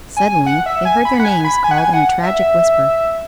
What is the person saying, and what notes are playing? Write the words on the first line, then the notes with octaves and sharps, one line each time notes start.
Suddenly they heard their names called in a tragic whisper!
G#5
F#5
E5
G#5
B5
F#5
G#5
B5
G#5
F#5
G#5
F#5
E5